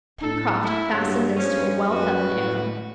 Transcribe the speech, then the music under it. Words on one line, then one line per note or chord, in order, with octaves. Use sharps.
Pencroft fastened this to a well-feathered arrow.
A2 A4
A3 E4
G2 C#3 F#3
G2 F3 C#4
F#2 F#4 B4
A2